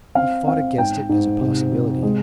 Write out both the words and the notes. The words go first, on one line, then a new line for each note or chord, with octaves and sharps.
He fought against it as a possibility.
C4 F5
C4 F5
G#2 G5
G#2
C3
C3
G#3